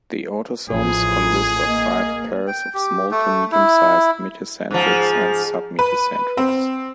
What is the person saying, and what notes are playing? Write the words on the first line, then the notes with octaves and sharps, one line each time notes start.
The autosomes consist of five pairs of small to medium-sized metacentrics and submetacentrics.
A1 F3 F4 G#4
A#3 D#5
G5
G4
A3
E4
G#2 F3
B4
C4